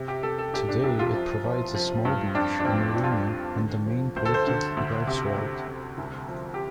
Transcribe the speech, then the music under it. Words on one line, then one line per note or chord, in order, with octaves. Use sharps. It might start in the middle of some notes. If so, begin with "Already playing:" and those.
Today it provides a small beach, a marina and the main port for Greifswald.
Already playing: C3
G4
C3 A4
A4
C2 G4
D4
C2 G4
F4
F3
F3
F3
G2
F2 D4
D4
F2 C4
F3 D4
F4
D4
F2
D3
F3
D2 C5
A4
C5
D3
D2
C3
D2
C3
C2
F3
G4